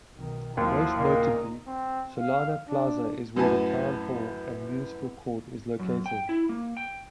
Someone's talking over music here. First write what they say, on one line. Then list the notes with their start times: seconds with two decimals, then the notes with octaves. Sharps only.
Most notably, Solana Plaza is where the Town Hall and municipal court is located.
0.16 B1 D#3
0.57 D#2 F3 F#3 E4
0.97 A#2 C#3 A#3 D#4
1.67 C4
2.19 F5
2.70 D4
3.36 F#2 A2 B3 F#4 G#5 A5
5.80 F#2
6.06 G5
6.29 E4
6.49 A#3
6.77 G5